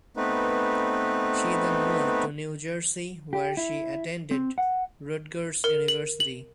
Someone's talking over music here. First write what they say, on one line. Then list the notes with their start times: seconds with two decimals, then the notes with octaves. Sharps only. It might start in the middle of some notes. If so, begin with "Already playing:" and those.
She then moved to New Jersey, where she attended Rutgers University.
0.17 A3 B3 C4 D#4 B4
3.33 G4
3.57 E4
4.31 C4
4.58 F#5
5.64 A#4
5.88 F#7
6.20 F#7